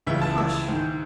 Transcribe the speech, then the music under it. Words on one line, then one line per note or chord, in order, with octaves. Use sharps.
But hush!
C#2 C#3 E3 E5
A5
E6
G#2 D#3